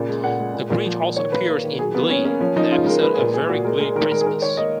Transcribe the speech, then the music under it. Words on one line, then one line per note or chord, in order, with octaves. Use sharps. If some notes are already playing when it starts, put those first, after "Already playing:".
The Grinch also appears in "Glee" in the episode "A Very Glee Christmas".
Already playing: A#2 C#3
G#3
A#2 F#5
G#3
A#2
A#2
F3
A#2
D#3 C#5
A#3 B4
A#3
D#3
F#3 G#4
A#3 B3
A#3 C#4
A#3 C#4
F3 C#4
F3 D#4
C#3 F4
G#3 A#4
A#3 B4
G#4
A#2 A#4
A#3 G#4
A#2 F#4
G#3 A#4
G#3 A#4
D#3 A#4
G#3 A#4
G#4
D#3 A#4
D#3 C#5
A#3 D#5